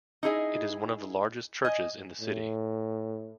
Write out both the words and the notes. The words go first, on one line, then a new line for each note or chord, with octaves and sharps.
It is one of the largest churches in the city.
D#4 E4 G#4 D#5
D#5 G#5
A2